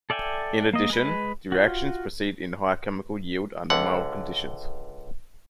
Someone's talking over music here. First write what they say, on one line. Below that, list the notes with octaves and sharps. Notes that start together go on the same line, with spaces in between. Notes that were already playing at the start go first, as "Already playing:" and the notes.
In addition, the reactions proceed in high chemical yield under mild conditions.
A4 D5 E5 G5 G#5
A#3 D#5
G#3 B4
F4 F#4
C#2 D3 F#5